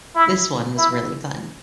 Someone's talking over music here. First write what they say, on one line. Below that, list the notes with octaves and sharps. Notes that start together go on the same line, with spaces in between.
This one was really fun.
E4
E4